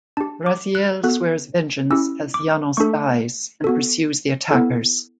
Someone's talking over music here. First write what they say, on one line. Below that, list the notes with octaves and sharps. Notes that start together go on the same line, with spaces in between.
Raziel swears vengeance as Janos dies, and pursues the attackers.
D4 G4 A5
D6
F#6
B3 F#4 A4 F#6
C#4 E4 G4 E6
D6
A3 D4 A4 C#6
B3 F#4 A4
B3 E4 A4